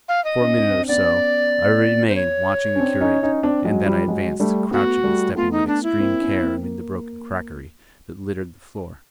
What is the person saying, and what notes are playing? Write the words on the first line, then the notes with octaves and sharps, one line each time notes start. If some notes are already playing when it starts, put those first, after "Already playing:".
For a minute or so I remained watching the curate, and then I advanced, crouching and stepping with extreme care amid the broken crockery that littered the floor.
F5
D#5
C#4 D#4
C4 D4
C4 D4
B3 C#4 D5
C5
C#5
C#4
C4 D4
C#4 D#4
C#4 D#4
C4 D4
F#3 G#3
F3 G3
F#3 G#3
G3 A3
A3 B3 F#4
G3 A3
A3 B3 F4
D#4
D4
E4
A#3 C4
B3 C#4
A#3 C4
A#3